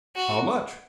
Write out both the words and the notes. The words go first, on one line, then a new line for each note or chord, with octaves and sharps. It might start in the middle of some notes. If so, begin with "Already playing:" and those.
How much?
F#4